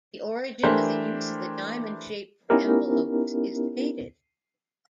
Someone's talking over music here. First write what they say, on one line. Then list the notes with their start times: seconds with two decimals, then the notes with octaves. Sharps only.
The origin of the use of the diamond shape for envelopes is debated.
0.63 E3 A3 D4 G4 A#4 C5
2.50 B3 C#4 D#4 E4 G4 A#4